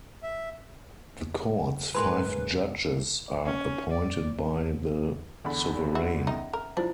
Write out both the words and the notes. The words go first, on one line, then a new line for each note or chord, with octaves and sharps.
The Court's five judges are appointed by the Sovereign.
E5
G#2 C#3 G#4 A#4 B4 B5 C6
C#4
D5
E2 D3 B5
F#4 E5 F#5
C#4 D#4 E5
A#4
F3 D4 E4 F4 C5